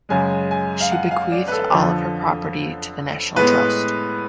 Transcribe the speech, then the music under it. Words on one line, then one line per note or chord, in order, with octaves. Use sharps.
She bequeathed all of her property to the National Trust.
F#2 C#3 G#3 G#5
G#5
F5
F#5
F5
D5
B4
A4
F2 D3 F3
A2 G#3 B3 B4